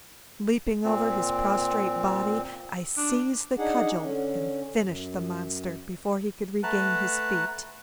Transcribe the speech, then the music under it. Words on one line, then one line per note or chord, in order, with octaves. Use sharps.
Leaping over his prostrate body, I seized the cudgel and finished the monster before he could regain his feet.
A#2 C4
D4
D4 D#4 G#4 F#5
D3 C#4
F#2
A3 B4 F#5 A5 A#5 F#6